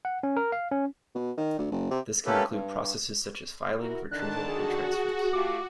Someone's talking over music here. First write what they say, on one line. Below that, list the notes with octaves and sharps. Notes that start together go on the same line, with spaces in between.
This can include processes such as filing, retrieval and transfers.
F#5
C#4
A#4
F5
C#4
B2
D#3
D2
F#1
C3
A3 A#3 C#4 G4 A4 B4
G2
E4 F#4 A#4
D3 D#3 D4 A5 F#6
F#4 G#4
A3 F4 G4 D6